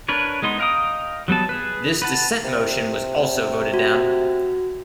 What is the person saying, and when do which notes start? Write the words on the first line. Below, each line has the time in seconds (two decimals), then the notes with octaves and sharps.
This dissent motion was also voted down.
0.09 D4 A#4 B4 C#5
0.42 G#3 B3 D#4 C6
0.59 D#5 F5 G5 A#5 D#6
1.28 F#3 G3 B3 A5
1.49 G#4 B4
2.02 B4 F#5 A5
2.45 C3
3.74 F#4